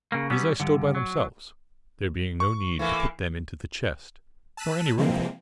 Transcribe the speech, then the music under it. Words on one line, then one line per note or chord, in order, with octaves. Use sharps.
These I stowed by themselves, there being no need to put them into the chest, nor any room for them.
C#3 A#3
F#3 G3 B3 C#4
G2 D3
F#3
C#6
E3 A3 A#3
A5 E6 F#6 B6 D#7
C3 E3 F3 G#3 A#3 C4